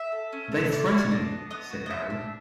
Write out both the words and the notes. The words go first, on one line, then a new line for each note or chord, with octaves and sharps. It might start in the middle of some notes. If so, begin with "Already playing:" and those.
"They threaten me," said Harry.
Already playing: E5
A4
C#4
A3
A4 D5
C#5
F#4
D5
D4 D#5
B3
B3 D#5
F#4
D#5
F4 E5
D4